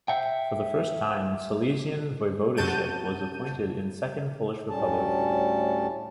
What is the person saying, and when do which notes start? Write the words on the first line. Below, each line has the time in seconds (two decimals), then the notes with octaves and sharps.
For the first time Silesian Voivodeship was appointed in Second Polish Republic.
0.08 E5 G5
2.57 F#2 C3 F#4 A5 G6 D#7
4.70 D2 A2 G3 C#4 A5